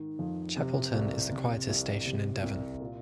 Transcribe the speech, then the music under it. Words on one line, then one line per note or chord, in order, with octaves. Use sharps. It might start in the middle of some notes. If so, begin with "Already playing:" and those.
Chapelton is the quietest station in Devon.
Already playing: G#2 D#3
F2
C3
C2
C3
C2
C3
C2
A#2